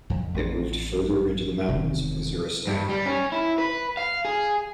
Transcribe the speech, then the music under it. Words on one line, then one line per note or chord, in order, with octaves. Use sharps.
They moved further into the mountains of Waziristan.
F2
A1 D4
E1 C3 D#3
G2
G3
C#4
E4
B4
F5
G#4